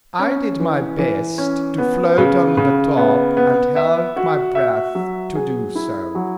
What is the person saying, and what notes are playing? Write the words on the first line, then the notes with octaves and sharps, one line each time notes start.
I did my best to float on the top, and held my breath to do so.
C#4
E3
E3
C#4
B3
C#3
C#3
B3
B3
E5
F#4
E5
F#3
G#4
E4
F#3